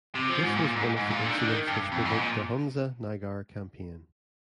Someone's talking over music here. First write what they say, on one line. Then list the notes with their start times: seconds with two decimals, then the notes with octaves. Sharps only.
This was one of the incidents which provoked the Hunza-Nagar Campaign.
0.15 C3
0.29 F3
0.42 G#2
0.56 A#2
0.76 G#2
0.97 G#2
1.10 A#2
1.23 D3
1.32 D#3
1.37 D3
1.47 D#3
1.67 G2
1.92 F2
2.05 G#2
2.19 A#2